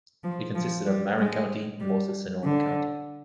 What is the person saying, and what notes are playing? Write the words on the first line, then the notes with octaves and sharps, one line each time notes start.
It consisted of Marin County and most of Sonoma County.
F3
F3
G3
G#3
G3
D3